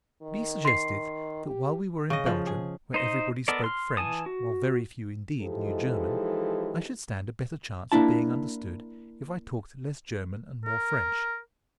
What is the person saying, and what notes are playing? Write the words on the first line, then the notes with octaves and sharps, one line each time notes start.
B. suggested that while we were in Belgium, where everybody spoke French, while very few indeed knew German, I should stand a better chance of being understood if I talked less German and more French.
D#3
C6 C7
G4
C#3 D#5
F3
G#4
D#4 C5 D#5
B3 A4 A#4 D5 D#5
C6 F6
E3 G#5 A5 D#6
F#4
E3 F3 G#3 D#4 G4 A4
A#3 D4 E4 A5
A#4